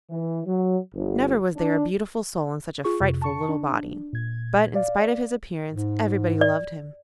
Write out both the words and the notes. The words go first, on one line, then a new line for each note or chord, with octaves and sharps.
Never was there a beautiful soul in such a frightful little body, but in spite of his appearance everybody loved him.
E3
F#3
G1
D4
F4 G#4 C#6
F2 C3
A5 C#6 C#7
D4
A#2 G#6
D5 F5
G#2
D5